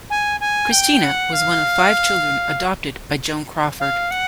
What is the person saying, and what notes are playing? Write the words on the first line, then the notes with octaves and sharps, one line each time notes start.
Christina was one of five children adopted by Joan Crawford.
G#5
G#5
G5
F#5
F5
F5
F#5